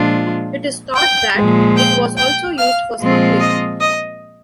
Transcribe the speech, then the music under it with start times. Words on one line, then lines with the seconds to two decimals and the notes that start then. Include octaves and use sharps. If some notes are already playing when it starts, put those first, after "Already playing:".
It is thought that it was also used for smuggling.
Already playing: A#2 F3 G#3 D4 F4
0.95 G5 G6
1.36 A#2 F3 G#3
1.76 G5 G6
2.18 G5 G6
2.58 F5 F6
2.99 A#2 F3 G#3 C4 F4
3.40 D#5 D#6
3.81 D#5 D#6